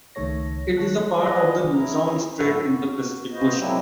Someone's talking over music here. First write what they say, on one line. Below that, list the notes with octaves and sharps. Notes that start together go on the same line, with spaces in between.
It is a part of the Luzon Strait in the Pacific Ocean.
C#2 D#3 A3 A4 C#5 A#6
D#3 C#5 A5 F#6 A#6
G#4 B4 D5 D#5 F#5
C#4 E4 G#4 A#5
F#2 A2 E4 F#4 A4
F#4
F4 F#4 B4 C5 D#5
F#3 G#3 A#3 C4 D4 E4